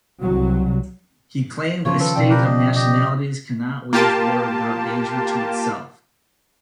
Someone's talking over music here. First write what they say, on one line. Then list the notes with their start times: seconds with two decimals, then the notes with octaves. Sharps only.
He claimed a state of nationalities cannot wage war without danger to itself.
0.21 C2 F#3
1.85 C#3 F3 C#5
2.00 D#3 C#4 A4 B4
2.16 B2 D5 G5
2.30 G4 A#4 B4
2.45 G4 D#5
2.75 G4 D#5
3.93 A#3 F4 G4 A5